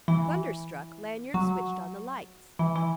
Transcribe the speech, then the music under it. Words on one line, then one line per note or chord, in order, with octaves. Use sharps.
Thunderstruck, Lanyard switched on the lights.
E3
F#3
E3
E3